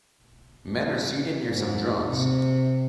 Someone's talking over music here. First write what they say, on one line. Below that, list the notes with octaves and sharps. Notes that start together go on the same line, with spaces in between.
Men are seated near some drums.
G#2
C3